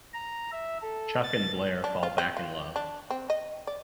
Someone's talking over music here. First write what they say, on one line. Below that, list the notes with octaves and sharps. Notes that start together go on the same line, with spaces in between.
Chuck and Blair fall back in love.
A#5
E5
A4
A6
D4
F4
C4
F4
D4
C4
D#5
D5